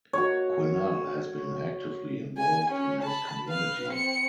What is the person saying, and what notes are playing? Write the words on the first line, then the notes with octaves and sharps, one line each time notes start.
Quennell has been actively involved in his community.
F#4 C#5
G#5
C#4
A5 B5
B4 F5
C4 C#7